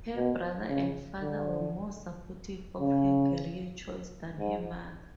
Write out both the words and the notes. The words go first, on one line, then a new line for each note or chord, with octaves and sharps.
Her brother and father were more supportive of her career choice than her mother.
B2
C#3
D3
C#3
G#2